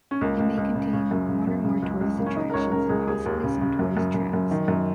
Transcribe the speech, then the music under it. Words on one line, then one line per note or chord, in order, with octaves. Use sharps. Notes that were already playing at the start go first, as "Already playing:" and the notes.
It may contain one or more tourist attractions and possibly some tourist traps.
C#4
C#2 A#3
C#2
C#2
C#3
C#3 C#4
F#2
C#3
F#2
C#3
C#2
C#2
C#3 A#3
C#4
C#3 D#4
A#4
C#2 C#5
C#3 A#4
C#2 G#4
D#2 G#4
D#2
C#3
C#3
F#2
F#2
F#2
F#2
D#3
F#2